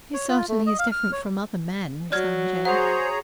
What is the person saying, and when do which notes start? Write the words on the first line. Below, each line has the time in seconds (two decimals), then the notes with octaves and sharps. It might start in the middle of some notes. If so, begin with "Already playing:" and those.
"He certainly is different from other men," returned Jane.
0.14 C#5
0.29 F4
0.49 A3
0.66 D#5
0.79 F5
0.92 F6
1.12 C#5
2.12 F#3 D5 F6 G#6
2.65 G#4 C5 C#5 F#5 A#5